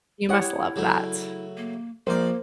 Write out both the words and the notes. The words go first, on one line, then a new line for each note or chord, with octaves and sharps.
You must love that.
E4 G4 C#5 F#5 D#6
C#3 F#3 A3
A#3
A#1 A#3 A#4 C5 D5